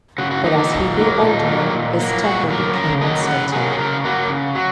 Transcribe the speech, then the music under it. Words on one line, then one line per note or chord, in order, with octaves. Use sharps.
But as he grew older his temper became uncertain.
C#3 F#4
F#4
A#3 D#4
D#4
A#2
F#3 A#3
A#2 D#4
F#3 A#3
A#2
F#3 A#3
A#2 F#4
F#3 A#3 A#4
C#3 A#4
F#3 A#3 D#5
C#3 F#5
F#3 A#3 G#4
G#4
C#3 A#4
F#3 A#3 F#4
C#3
F#3 F#4